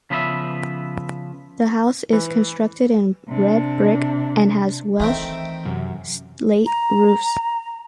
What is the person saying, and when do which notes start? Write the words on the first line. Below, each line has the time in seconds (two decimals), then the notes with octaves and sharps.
The house is constructed in red brick and has Welsh slate roofs.
0.10 C#3 F3 B3 B4 C5 E5
2.13 E3
3.28 C3 D4
5.00 D#3 E3 A3 C4 E5 D7
5.65 F#2 C3
6.66 A#5